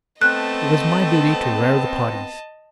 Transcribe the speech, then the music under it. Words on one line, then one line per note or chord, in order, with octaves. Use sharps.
It was my duty to "rare the poddies".
A3 B3 C4 D#5 A5 F#6